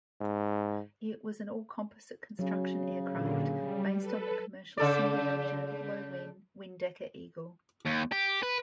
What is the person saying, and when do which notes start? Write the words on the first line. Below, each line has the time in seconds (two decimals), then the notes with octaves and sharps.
It was an all-composite construction aircraft, based on the commercial single-engine, low-wing Windecker Eagle.
0.21 G#2
2.39 C#3 F#3
3.10 A#2 D3
3.57 G3
4.00 A4 B4
4.77 C#3 A4 D5
7.85 D#2
8.12 G4
8.43 B4